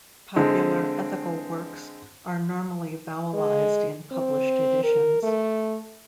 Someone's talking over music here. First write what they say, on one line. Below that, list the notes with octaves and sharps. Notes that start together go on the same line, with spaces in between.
Popular ethical works are normally vowelized in published editions.
D3 G#3 C4
G#3
C4
A#4
A3